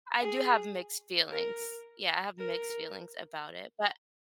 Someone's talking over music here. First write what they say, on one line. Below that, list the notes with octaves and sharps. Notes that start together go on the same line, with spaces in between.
I do have mixed feelings. Yeah, I have mixed feelings about it, but
G#4
A#4
A#4